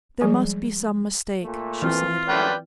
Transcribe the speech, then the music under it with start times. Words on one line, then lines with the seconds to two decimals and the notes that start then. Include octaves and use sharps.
"There must be some mistake," she said.
0.21 F3 G3 G#3 G#4 G#5
1.44 A#2 A3
1.82 E3 C4 F4
2.29 F#2 A2 B4 D5 G5